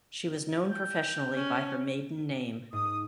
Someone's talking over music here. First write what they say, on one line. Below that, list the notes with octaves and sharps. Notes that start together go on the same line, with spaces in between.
She was known professionally by her maiden name.
G5
C#4
G#2 D#6